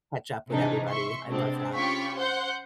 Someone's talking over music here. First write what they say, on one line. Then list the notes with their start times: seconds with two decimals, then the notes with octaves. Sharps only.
catch up with everybody. I love that.
0.49 C3 D#3 E3 D4 D#4 G#4
0.88 E5 C6 C#6
1.27 C3 G#3 B3 C4 D4
1.74 C#4 F4 G4 B5 C#6
2.17 C5 F#5 C6 G6